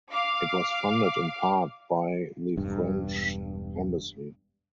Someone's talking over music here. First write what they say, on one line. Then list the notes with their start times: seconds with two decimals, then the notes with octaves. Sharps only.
It was funded in part by the French embassy.
0.12 F5 D6
2.57 E1 G2